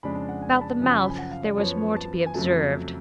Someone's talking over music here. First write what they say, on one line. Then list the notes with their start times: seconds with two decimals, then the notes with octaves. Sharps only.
About the mouth there was more to be observed.
0.03 F2 C#3 G#3 D4 B5
0.15 A5
0.29 F#5
0.42 G#5
0.56 B5
0.61 A5
0.80 F#2 C#3 F3
0.90 G#5
0.99 B5
1.10 G#5
1.18 F#5
1.31 F5
1.45 D5
1.57 F#2 F3 B3 C#5
1.77 C#5
1.96 A5
2.26 G#5
2.34 F2 C#3 F#3 A3 A5